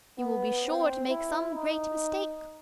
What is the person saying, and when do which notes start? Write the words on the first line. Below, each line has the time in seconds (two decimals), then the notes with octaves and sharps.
You will be sure to make some great mistake.
0.19 B3
0.65 C4
1.09 E4
1.54 D#4